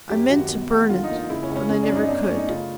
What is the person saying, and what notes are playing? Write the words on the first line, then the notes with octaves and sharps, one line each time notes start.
I meant--to burn it--but I never could.
F#2 G4
G#1 F#4
B2
E2
D3 F4
D#4
A#3
D#4
C#3 E4
C#4
C#2
C#4
C#3 C#4
D4
F#2
D#4
B2 D4
C#4
A3
D#4
C#3 F4